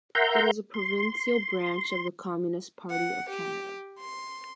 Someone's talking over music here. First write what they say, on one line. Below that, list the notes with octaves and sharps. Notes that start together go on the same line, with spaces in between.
It is a provincial branch of the Communist Party of Canada.
A#4 E5 F#5 A#5 C6 G6
C6
F#5
G4
C6